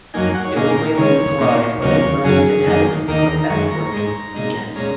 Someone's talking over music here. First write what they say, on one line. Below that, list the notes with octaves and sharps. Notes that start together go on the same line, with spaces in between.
It was mainly supplied by the moneyed inhabitants of Antwerp and Ghent.
F#2 F#3 A#3 D#4 G#5
G#5
F#5
C#5
A#2 A#3 D#4 G#4
A#4
C#3 G#3 C#4 C#5
A#2 A#3 D#4
D#2 C#3 F#3 A#3 D#4 C#5
F#2 C#3 F#3 C#4 G#4
F#2 D#3 A#3 D#4
D#2 D#3 A#3 D#4 A#4
D#5
A#5
A#5
F#2 D#3 G#3 C#6
A#5
C#6
G#2 G#3 D#4 A#5
A#2 G#3 D#4
A#2 G#3 C#4 A#5